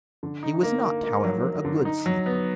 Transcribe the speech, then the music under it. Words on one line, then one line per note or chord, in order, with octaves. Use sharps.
He was not, however, a good sleeper.
D3
D#4
A#3
A#3
A#3
F#3
F#3
D3
D#4
F#3
B3